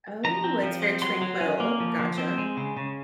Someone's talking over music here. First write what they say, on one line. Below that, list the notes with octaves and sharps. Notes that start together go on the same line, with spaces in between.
Oh, it's very tranquil, gotcha.
F3 A#5
C4
F3
C4
F#3 C6
F#3
C#4
A#3
F3
F3
C4
G#3
C#3
C#3